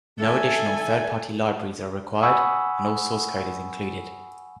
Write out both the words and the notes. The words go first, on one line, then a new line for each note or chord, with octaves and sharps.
No additional third party libraries are required, and all source code is included.
A4 E5 G#5
F#5 G#5 B5 C#6 D#6 E6